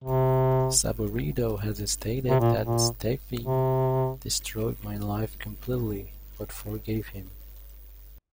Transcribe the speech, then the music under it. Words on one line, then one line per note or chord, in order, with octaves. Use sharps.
Saburido has stated that Stephey "destroyed my life completely," but forgave him.
C3
C3
A#2
A#2
C3